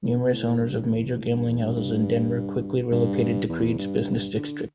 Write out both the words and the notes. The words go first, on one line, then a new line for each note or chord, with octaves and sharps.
Numerous owners of major gambling houses in Denver quickly relocated to Creede's business district.
A2
D3
B2
A2
G2
E2
A2
G2
E2
G2
G2
G2
E2
G2
D3